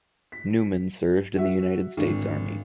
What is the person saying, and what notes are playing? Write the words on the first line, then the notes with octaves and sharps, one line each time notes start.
Newman served in the United States Army.
B6
F#4 E5
G#1 D3